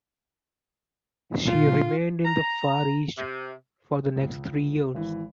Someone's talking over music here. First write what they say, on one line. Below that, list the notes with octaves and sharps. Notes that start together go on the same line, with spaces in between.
She remained in the Far East for the next three years.
A#2 F4
A#5
C3
C#2
G#1 E3